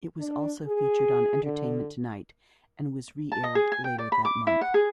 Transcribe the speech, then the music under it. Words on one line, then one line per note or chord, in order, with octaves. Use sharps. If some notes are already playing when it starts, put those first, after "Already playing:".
It was also featured on "Entertainment Tonight" and was re-aired later that month.
D4
G#4
D3
A5
D#5
G#4
G#5
G5
D5
B5
D6
E4
F#5
G#4